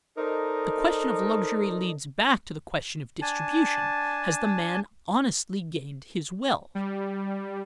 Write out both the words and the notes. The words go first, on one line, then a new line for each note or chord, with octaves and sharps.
The question of luxury leads back to the question of distribution: Has the man honestly gained his wealth?
D#4 A4 A#4 C5 D5 D#5
D4 G#5 A5
G3